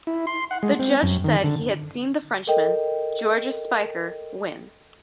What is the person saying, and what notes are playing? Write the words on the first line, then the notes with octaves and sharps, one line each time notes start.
The judge said he had seen the Frenchman, Georges Speicher, win.
E4
C6
F#5
G#3
C4
F#2
D#3
D3
A4 A#4 D#5 G5